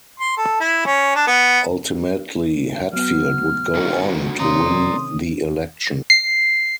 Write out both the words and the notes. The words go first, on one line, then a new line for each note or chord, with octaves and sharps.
Ultimately, Hatfield would go on to win the election.
C6
A4
E4
C#4
D4
B3
F#3 B3 F6
D3 D#4 F#4
C3 D#3 C#4 D5 A#5 C6 D#6
C7